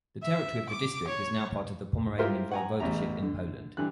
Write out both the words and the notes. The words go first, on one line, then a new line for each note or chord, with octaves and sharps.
The territory of the district is now part of the Pomeranian Voivodeship in Poland.
E5
D6
C#5
E4 F4 G4 A#4 C5 E5
F#5 G#5 A#5
A1 E2 E5 A#5
D3
G2 D3 E3 F#6